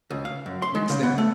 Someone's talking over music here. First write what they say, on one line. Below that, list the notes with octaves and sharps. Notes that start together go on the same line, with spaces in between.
Mix them.
C#2
F5
F#2
C6
G#3
C#3
B3
A3